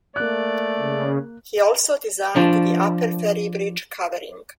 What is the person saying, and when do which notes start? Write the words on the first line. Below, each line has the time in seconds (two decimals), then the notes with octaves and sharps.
He also designed the Upper Ferry Bridge covering.
0.16 A3 A#3 D5 F#6
0.78 C#3
2.36 F3 D4